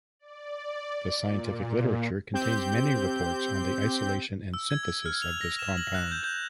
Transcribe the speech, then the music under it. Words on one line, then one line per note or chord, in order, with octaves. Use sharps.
The scientific literature contains many reports on the isolation and synthesis of this compound.
D5
A#2
C4 G4 G6
E6
G#6
E6
F6
F7
A#6
E7
F#7
F#6
G6
G6